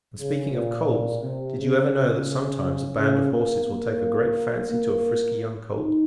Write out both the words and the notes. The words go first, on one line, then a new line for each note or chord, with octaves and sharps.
"And speaking of colts, did you ever know that sometimes a band of horses will take a great fancy to a frisky young colt?"
C#3
A#2
C3
C#3
C#3
A#3
A#3
A#3
D#4